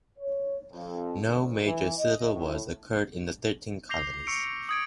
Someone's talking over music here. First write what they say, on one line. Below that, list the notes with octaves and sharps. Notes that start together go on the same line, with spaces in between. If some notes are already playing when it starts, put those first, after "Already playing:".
No major civil wars occurred in the thirteen colonies.
C#5
F2
D2
E3
D#5
A2
D6 G6 A#6 C7 F7 G7
C#6 E6 C#7 D7
D#6 G#6 D7